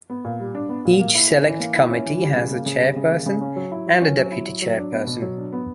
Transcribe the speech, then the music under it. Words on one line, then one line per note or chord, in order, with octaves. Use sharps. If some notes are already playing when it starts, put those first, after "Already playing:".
Each select committee has a chairperson and a deputy chairperson.
B3
A#2
G3
D4
B3
A#2
A#3
E4
C#4
E3
A#3
E4
C#4
E3
G3
C#3
A#3
C#3
G3
C#3
A#3
C#3
C#4
F#3
E4
F#3
C#4
F#3
E4
F#3
F#3
D4
B3
B2
F#3
D4
B3